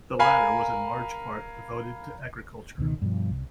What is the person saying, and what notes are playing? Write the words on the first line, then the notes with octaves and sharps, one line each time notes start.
The latter was in large part devoted to agriculture.
A#4 F5 G#5 B5
C#2 B2 D#3
G2 B2 D3 F3
C2